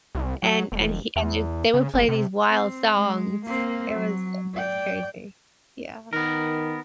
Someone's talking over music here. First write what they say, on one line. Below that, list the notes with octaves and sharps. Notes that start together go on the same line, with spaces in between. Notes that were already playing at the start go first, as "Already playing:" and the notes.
and and he and j they would play these wild songs, it was it was crazy. Yeah.
C2
F#3
E1
E2
C#3
F#1
C3
C4
G#3
A#3 C4
F#3
D5 G5
D#3 B3 A#4